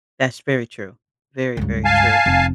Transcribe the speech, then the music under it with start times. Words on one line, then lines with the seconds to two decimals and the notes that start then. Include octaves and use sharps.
That's very true. Very, very true.
1.57 C#2 G2
1.85 F5 G#5 A5
2.26 F1